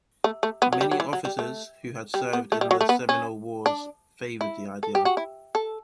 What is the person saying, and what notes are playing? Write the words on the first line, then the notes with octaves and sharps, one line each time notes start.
Many officers who had served in the Seminole Wars favored the idea.
A3
A3
B3
F#3
G3
F#3
E3
F#3
G3
A3
G3
B3
A3
G3
F#3
A3
B3
C#4
D4
E4
A4
G4
F#4
E4
A4